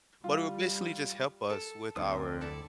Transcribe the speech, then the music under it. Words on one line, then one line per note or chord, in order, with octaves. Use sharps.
But it would basically just help us with our
G3 F4
A4
D2 C4 D6 D#6
E4 A4 D5